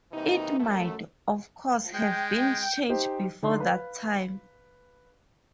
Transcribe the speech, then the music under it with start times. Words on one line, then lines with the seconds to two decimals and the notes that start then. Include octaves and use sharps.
It might, of course, have been changed before that time.
0.12 C3 E3 A#3 D#4
0.59 F#2 A3
1.94 G#3 G5
2.89 D#4 G4 C5 G5
3.43 D3 D#4 C6
3.60 B4 F5